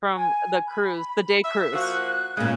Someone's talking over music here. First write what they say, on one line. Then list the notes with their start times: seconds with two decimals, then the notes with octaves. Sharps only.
from the cruise the day cruise.
0.16 G#5
0.67 B5
1.44 E5
1.73 F3 A#3 F#4 F#6
2.37 A#2 C#3 G#3